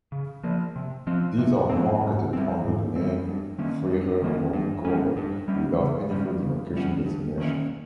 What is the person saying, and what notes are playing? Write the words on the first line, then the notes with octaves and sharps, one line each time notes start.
These are marketed under the name "Freiherr von Göler" without any further location designation.
C#3
F3 A#3
C3
F3 C4
C3
F3 C4
G#2
G3 C4
G#2
G3 C4
G2
D#3 A#3 C#4
G2
D#3 A#3 C#4
G2
G3 C#4
G2
G3 C#4
C#3
G3 C#4
C#3
G3 C#4
G2
D#3 A#3 C#4